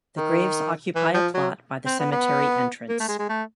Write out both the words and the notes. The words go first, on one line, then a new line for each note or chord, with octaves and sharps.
The graves occupy a plot by the cemetery entrance.
D#3
E3
F3
F#3
C4
B3
B3
A#3
A3
G#3
G#3
A3